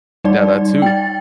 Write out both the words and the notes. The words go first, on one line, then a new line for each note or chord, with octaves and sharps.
Yeah, that too.
G3 D#4 D5
G5 A6